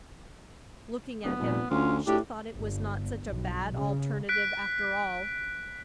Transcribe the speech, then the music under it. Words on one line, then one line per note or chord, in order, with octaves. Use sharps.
Looking at him, she thought it was not such a bad alternative, after all.
D1 B3
F1 A#2
D2 C#4 F4
A2 D4 G4
G1
B1
C#3
F#6 B6 D7